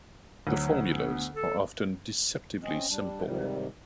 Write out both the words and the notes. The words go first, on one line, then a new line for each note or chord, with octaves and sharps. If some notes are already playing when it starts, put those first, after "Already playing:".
The formulas are often deceptively simple.
D2 F#3
B3
A4
C4 C#4 D#5
G3 D4
G#2 C3 D#3 G3